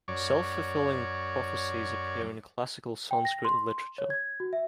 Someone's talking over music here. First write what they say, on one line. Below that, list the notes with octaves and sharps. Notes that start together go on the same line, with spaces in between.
Self-fulfilling prophecies appear in classical Sanskrit literature.
F#2 C#5 D5
G5
A#6
C6
C#5
G#6
F#4
E5